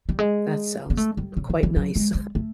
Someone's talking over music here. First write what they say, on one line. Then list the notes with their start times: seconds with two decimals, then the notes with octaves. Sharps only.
That sounds quite nice.
0.09 G3
0.19 G#3
0.90 A#3
0.97 A3
1.17 G3
1.37 C#3
1.50 D#3
1.63 E3
1.76 F#3
1.96 G#3
2.15 G#3
2.35 A3